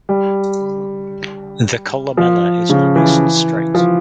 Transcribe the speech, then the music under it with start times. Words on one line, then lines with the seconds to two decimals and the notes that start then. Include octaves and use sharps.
The columella is almost straight.
0.09 G3
2.17 F3
2.70 C#3
2.96 E3
3.75 F3